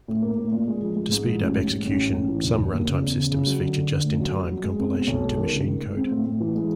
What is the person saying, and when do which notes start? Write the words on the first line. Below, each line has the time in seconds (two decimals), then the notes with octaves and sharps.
To speed up execution, some runtime systems feature just-in-time compilation to machine code.
0.08 A2
0.22 A#3
0.38 A2
0.52 A#2
0.67 G#3
0.82 F3
0.96 G#3
1.11 G#2
1.25 F3
1.40 A1
1.55 G#2
1.70 G#2
1.85 A1
1.99 G#2
2.14 A1
2.29 E3
2.44 E1
2.57 E1
2.72 D#2
2.87 C#3
3.03 E2
3.16 C#3
3.31 C#3
3.47 F#3
3.61 D3
3.76 D3
3.90 D3
4.04 A2
4.20 F#3
4.35 F#3
4.49 F#3
4.64 G#3
4.79 C4
4.94 B2
5.07 B1
5.22 G#3
5.37 D#3
5.52 C#2
5.66 D#3
5.81 G#3
5.96 C4
6.11 A2
6.26 A2
6.40 E3
6.55 G#3